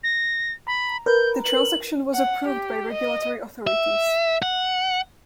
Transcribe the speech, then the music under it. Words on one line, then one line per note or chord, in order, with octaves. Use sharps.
The transaction was approved by regulatory authorities.
A#6
A#5 B5
A#4 B4 G6
F#7
F#5
G4
D#5
E5
F#5